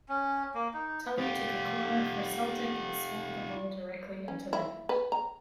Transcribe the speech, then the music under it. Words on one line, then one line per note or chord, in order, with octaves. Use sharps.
Tully took a corner for Celtic and swung the ball directly into the net.
C#4
A#3
D#4
F4 G4
C#4
E4
B4
A#5